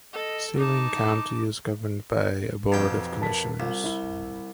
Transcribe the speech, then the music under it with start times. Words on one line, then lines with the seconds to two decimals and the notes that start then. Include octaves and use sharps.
Saline County is governed by a Board of Commissioners.
0.13 A4 D#5
0.58 D#4 A5 D6
2.72 B1 F2 G5
3.21 A#4 A5 B6
3.60 C2 F4
3.84 E4 G7